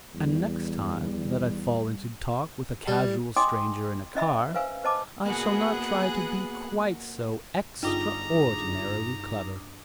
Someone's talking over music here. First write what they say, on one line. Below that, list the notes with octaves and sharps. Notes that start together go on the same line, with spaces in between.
And next time that I fall into talk with a casual stranger in a car, I shall not try to be quite so extraordinarily clever.
E2 G3
G3
D#5 G5 G#5 C6 D6 D#6
C#4 D#5 E5 B5
B4 C5 F5 G#5 E6
B4 C5 D#5 A5 D6
A#3 B3 F#4 G#4 F#6
G1 D4 D#4 F4 G#4 A#5 D6 D#6